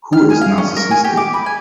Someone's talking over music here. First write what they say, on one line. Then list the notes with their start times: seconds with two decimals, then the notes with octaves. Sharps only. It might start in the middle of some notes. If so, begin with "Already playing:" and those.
Who is narcissistic?
0.13 F6
0.30 G#5
0.41 F5
0.58 C#4
0.77 A#4
0.91 G#5
1.04 G4
1.17 D6
1.34 B5
1.46 G#5